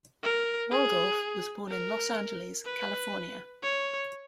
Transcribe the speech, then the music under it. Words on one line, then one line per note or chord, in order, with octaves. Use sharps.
Waldorf was born in Los Angeles, California.
A#4
G#4
A#4
B4
C#5